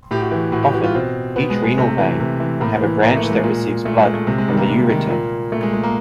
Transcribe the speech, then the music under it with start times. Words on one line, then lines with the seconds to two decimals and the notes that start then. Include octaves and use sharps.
Often, each renal vein will have a branch that receives blood from the ureter.
0.11 A2 G4
0.21 F#4
0.31 E3
0.52 A2 F#4
0.63 G4
0.73 E3 F#4
0.84 F4
0.95 B2 C4
1.36 B2 B3
1.50 G#3
1.64 G#3
1.78 C3 A3
1.98 E3
2.20 C3
2.40 E3
2.61 A2 A#3
2.81 E3
3.02 A2 A#3
3.16 A3
3.23 E3
3.30 G#3
3.44 A#2
3.85 A#2 A3
3.99 G#3
4.14 A3
4.27 C3 G#3
4.38 G#3
4.48 D#3 G3
4.59 A#3
4.69 C3
4.89 D#3
5.10 A#2
5.52 A#2 A3
5.63 G#3
5.73 G#3
5.83 A#3